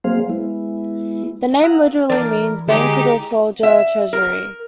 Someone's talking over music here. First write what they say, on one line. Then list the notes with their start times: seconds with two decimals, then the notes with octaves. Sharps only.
The name literally means "Bank of the Soldier Treasury".
0.04 F#3 A#3 C4 G#4 C5 F5
0.30 G#3 B3 E4
1.63 F5 F#5 A#5 D#6 E6 F#6
2.10 E3 D4 A#4 D5
2.67 D3 G#3 D#4 G4 G#4
3.63 E5
4.13 A#4